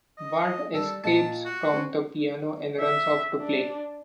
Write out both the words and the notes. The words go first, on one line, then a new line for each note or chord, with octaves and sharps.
Bart escapes from the piano and runs off to play.
D#5
G3 A4
A#2 D#5 F5 A5
F#4
C#4 C5 G5
E5
D4